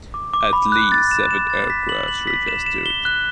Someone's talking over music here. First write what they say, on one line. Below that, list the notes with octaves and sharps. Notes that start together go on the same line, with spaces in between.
At least seven aircraft registered.
D6
D6
B5
F#6
A6
E7
E7
A6
B6
F#7
F#7
B6
E7
E7
G7
F#6